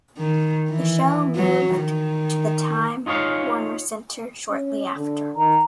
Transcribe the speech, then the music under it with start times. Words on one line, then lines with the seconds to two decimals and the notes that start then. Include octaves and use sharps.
The show moved to the Time Warner Center shortly after.
0.17 D#3
0.69 E3
1.35 F#3
1.76 D#3
3.06 D#4 F4 G#4 C#5 F5
4.50 C#4
4.96 D3
5.35 D#3 A#5